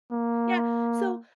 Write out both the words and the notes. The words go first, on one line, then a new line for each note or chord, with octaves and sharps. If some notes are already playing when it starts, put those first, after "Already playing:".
Yeah. So
A#3